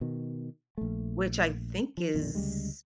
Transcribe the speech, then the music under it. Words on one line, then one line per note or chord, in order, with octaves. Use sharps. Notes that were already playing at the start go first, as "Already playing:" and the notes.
Which I think is
B2 D#3
A#1 A3
F3
B1 F2 A#2 D#3
D2 C#3 G3 G#3